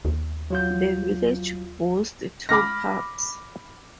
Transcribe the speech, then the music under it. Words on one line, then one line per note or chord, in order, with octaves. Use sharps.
The village boasts two pubs.
D#2
F#3 F4 G6
B5 D6 F6 A#6